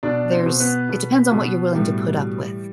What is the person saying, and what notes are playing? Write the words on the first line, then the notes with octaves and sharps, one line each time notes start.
there's it depends on what you're willing to put up with,
B2 D4 D5
C4 C5
B2
B3 B4
B2
B2
A2 G3 G4
E3